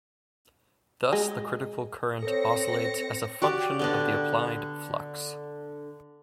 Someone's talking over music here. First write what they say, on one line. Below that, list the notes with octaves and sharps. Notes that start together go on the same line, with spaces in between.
Thus the critical current oscillates as a function of the applied flux.
G#3
C4 A4 A#4 C#5 A#6 C#7
F#4 G4 D5
D3 B3 D4